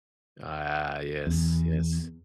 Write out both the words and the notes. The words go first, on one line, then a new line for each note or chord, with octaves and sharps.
A ah. Yes. Yes.
E2